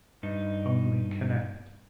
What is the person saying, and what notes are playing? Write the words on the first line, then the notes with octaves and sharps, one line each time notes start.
Only connect!
G2 D#4